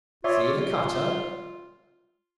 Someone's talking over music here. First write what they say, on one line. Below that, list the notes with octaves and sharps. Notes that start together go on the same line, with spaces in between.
"See the cutter?"
F4 C#5 D5 E5